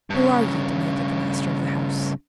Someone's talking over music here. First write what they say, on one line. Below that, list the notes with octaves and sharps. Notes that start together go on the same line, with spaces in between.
"Who are you?" demanded the master of the house.
G2 C#3